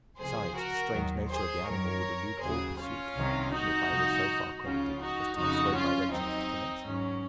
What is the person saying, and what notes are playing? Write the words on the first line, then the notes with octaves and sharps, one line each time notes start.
Besides, the strange nature of the animal would elude all pursuit, even if I were so far credited as to persuade my relatives to commence it.
C#2 C3 F3 G#4 C5
F#4 A#4
D#2 D#3 F#3
G#4 C5
F#2 D#3 F#3 A#4 C#5
D#2 C#3 F#3 G#4 C5
C#4 F4
C2 C3 D#3
D#4 F#4
C2 A#2 F3
C#2 C#3 F3 C#4 F4
D#4 F#4
F2 C#3 F3 D#4 F#4
C#4 F4
D#2 D#3 F#3 C4 D#4
G#2 D#3 F#3 C#4